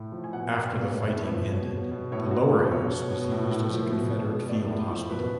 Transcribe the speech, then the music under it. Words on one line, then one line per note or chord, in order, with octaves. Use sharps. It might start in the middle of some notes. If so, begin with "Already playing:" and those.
After the fighting ended, the lower house was used as a Confederate field hospital.
Already playing: A2
F3
G#5
B2 F#5
F5
B2
F5
B2 D5
A2 C#5
A2
B4
F3
B2 C#5
B2
B2
A2 C#5
A2 F#4
F3 F4
B2 C#5
B2
B2
A2
A2
F3
B2
B2
B2
A2 D5
A2
F3
B2 B4